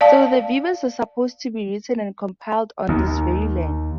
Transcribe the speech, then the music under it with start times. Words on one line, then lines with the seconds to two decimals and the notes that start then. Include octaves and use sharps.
So the Vedas were supposed to be written and compiled on this very land.
0.01 D5 F5 A5
2.89 D#2